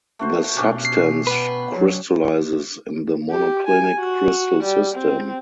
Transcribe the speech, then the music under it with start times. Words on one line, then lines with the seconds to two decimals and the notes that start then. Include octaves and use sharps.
The substance crystallizes in the monoclinic crystal system.
0.19 A3 F#4 C5
0.57 B2 C#4 D4 G4
0.85 C7
1.27 B3 B4
1.70 F#3
3.31 G4
3.67 G#5
4.00 F#4
4.64 G3
4.95 C4